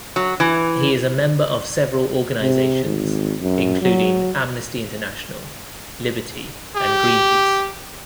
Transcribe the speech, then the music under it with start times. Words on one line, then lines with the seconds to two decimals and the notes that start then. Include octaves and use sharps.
He is a member of several organisations including Amnesty International, Liberty and Greenpeace.
0.16 F#3
0.40 E3
2.42 C3
2.85 G#1
3.41 F#2
3.82 F#3
6.76 G4